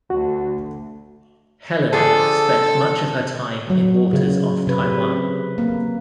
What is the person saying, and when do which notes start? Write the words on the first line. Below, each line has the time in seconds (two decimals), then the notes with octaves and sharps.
"Helena" spent much of her time in waters off Taiwan.
0.10 D2 F#4
1.93 D3 F3 G#4 A4
3.70 F#3
4.13 C#3
4.67 C3 B4
5.58 A#3